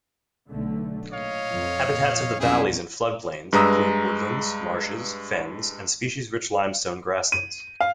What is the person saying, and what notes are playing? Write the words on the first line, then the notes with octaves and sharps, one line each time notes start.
Habitats of the valleys and floodplains include woodlands, marshes, fens and species-rich limestone grasslands.
B1 D3 A3
A#2 C#5 D#5 F5
F2
F2 A#2
B1 F2 C#4 E4 G4 G#4
G2 G#3 B4 A#5 D#6 E6
D#7
F5